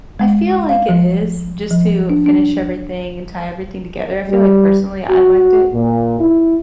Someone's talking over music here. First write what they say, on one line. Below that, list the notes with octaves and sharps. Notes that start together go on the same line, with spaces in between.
I feel like it is, just to finish everything and tie everything together. I feel like, personally, I liked it.
G#3
F5
F3
F3
D4
D4
G3
F#4
A#2
E4